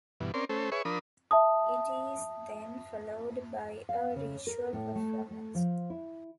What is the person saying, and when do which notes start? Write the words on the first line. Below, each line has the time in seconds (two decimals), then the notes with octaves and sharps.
It is then followed by a ritual performance.
0.20 G2 B2 E3
0.34 C4 C#4 A#4 D5 C6
0.49 A3 C#4 A4 C5
0.72 G#4 B4 C#5 E5 C#6
0.85 F3 D4 A#4 B5 D#6
1.31 E5 A5 D#6
3.89 F5
4.16 C#3
4.47 A#4
4.73 A2
4.95 A3
5.30 A3
5.55 F3
5.90 E4